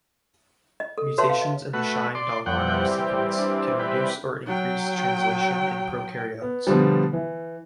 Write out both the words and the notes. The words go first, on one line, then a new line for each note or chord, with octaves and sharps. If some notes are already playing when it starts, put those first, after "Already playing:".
Mutations in the Shine-Dalgarno sequence can reduce or increase translation in prokaryotes.
D#5
A4
F#4 B4 C#5 E5 A5 C6
F5
D#5
A3 F#4 B4
D5 C6
F2 E3 G3 C4 F#5 G5
G4
D4
G4 B4
F#3 G5
B3
B2 D3 F3 G3
E3